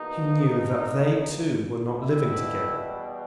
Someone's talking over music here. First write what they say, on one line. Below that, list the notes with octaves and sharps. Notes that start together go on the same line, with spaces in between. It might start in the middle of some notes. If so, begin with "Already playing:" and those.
He knew that they two were not living together.
Already playing: E2 B2 A#3 D#4
E2 B2 G3 E4